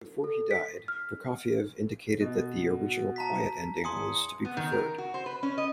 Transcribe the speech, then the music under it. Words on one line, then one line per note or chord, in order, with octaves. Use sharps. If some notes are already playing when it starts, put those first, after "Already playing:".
Before he died, Prokofiev indicated that the original quiet ending was to be preferred.
A4
B6
F6
B2 F#4
A5 A#5 B6
E2 G#5 C6 D#6 C#7
B3
D#3
A#4
F#4
C5
B4
C#4
D#5